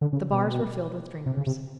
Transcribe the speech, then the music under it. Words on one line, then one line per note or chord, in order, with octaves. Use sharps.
The bars were filled with drinkers.
D3
C#3
B2
C3
C#3
C3